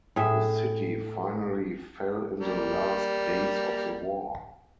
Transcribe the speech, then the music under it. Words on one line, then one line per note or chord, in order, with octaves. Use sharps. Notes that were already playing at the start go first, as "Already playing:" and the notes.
The city finally fell in the last days of the war.
A2 G#4 E5
G3 A#3